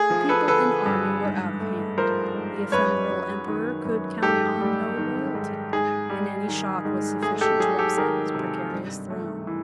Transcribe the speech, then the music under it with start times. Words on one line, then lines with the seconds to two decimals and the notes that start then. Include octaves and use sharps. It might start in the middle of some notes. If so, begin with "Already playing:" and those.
The people and army were out of hand, the ephemeral emperor could count on no loyalty, and any shock was sufficient to upset his precarious throne.
Already playing: A3 G#4
0.10 F3
0.29 A4 B4
0.48 D3 A4 B4
0.86 G2
1.23 G#2
1.60 A3
1.98 F3 A#4 C5
2.35 G#2
2.72 F#2 B4 C#5
3.10 F#3
3.48 D#3
3.85 F#2
4.22 G#2 G4 A4
4.61 G3
4.97 D#3
5.35 G#2
5.73 G#2 G#4
6.10 G3
6.48 D#3
6.85 G#2
7.22 A3 G#4
7.41 G4 A4
7.60 F#3 G#4
7.79 G4 A4
7.97 D#3 G#4 A#4
8.35 C3
8.73 G2
9.10 A3
9.47 E3